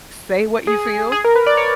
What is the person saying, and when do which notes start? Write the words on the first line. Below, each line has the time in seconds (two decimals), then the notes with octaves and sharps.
say what you feel,
0.67 G#4
1.12 G#4
1.25 A#4
1.35 B4
1.47 D5
1.57 C#5